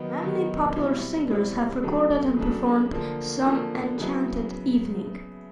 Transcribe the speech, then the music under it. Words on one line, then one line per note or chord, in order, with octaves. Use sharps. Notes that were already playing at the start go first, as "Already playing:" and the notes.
Many popular singers have recorded and performed "Some Enchanted Evening".
Already playing: D#3 F#3 B3 D#4
D#3 F#3 B3 D#4
B2 G3 C4 E4
B2 G3 C4 E4
C#3 F#3 A3 D4
C#3 F#3 A3 D4
D3 F3 A#3
D3 F3 A#3
C#3 F#3 B3 E4